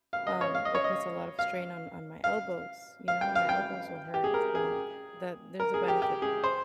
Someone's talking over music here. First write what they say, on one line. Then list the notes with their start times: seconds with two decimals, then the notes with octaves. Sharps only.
um, it puts a lot of strain on on my elbows, you know? And my elbows will hurt. So that there's a benefit
0.13 F5
0.27 D#5
0.41 C#5
0.55 F5
0.65 D#5
0.75 C#5
0.84 D#5
1.39 F5
2.24 F5
3.08 F5
3.21 G5
3.35 F5
3.49 G5
4.14 G4
4.24 G#4
4.34 A#4
4.55 G#4
5.60 A#4
5.74 G#4
5.88 G4
6.02 G4
6.22 G#4
6.44 C5